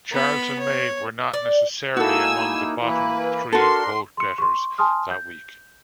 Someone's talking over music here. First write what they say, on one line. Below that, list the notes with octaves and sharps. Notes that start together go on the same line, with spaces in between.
Charles and Mae were not necessarily among the bottom three vote-getters that week.
B3 B5
C#5
D5
A#3 D#4 E4 F#4 A4 G#5 E6
E3 A#3 E4 B4
D4 F#4 A4 A#4 C6
C6 C#7
C6 C#6
G#5 A5 C6 D#6 F6
G6